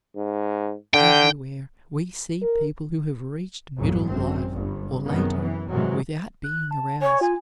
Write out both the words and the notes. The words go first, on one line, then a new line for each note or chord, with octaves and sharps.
Everywhere we see people who have reached middle life or later without being aroused.
G#2
D3 G5
A#4
A#1 F2 G#2 B2 F#3
G#1 F#2 C4
G1 G2
F#2 C3 D#3 F#3 G#3 B3
E3
G#2 C3 D#3 E3 F#3 G#3
F#6
A5
C#5 G#5
F4 G#5